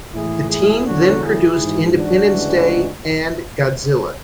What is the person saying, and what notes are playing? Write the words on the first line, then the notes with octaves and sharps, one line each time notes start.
The team then produced "Independence Day" and "Godzilla".
A2 E3 G#3 E4 G#4
E4 G#4
E2 D3 F#3 D4 F#4
E4 G#4
G#2 E3 G#3
D4 F#4
D2 C#3 E3 G#3